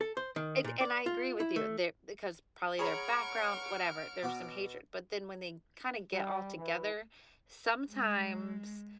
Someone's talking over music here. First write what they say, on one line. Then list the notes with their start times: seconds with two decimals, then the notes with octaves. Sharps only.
and and I agree with you, they're 'cause probably their background, whatever, there's some hatred, but then when they kinda get all together, sometimes
0.01 A4
0.17 C5
0.36 D#3
0.64 A#2
0.81 D5
1.06 F4
1.40 E4
1.56 A3
2.79 G#4 C#5 F#5 A#5 B5 C#6 F6 D7
4.23 B2 F#4 D6
6.11 G3
6.57 E3
7.91 G#3